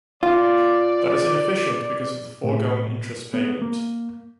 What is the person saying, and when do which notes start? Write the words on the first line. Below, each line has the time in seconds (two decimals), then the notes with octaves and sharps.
That is inefficient because of the foregone interest payment.
0.23 F4 D5
2.44 A2
3.34 B3
3.62 A#3